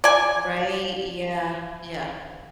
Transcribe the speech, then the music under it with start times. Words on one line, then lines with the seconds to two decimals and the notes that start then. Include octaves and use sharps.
Right, yeah, yeah.
0.04 D5 G#5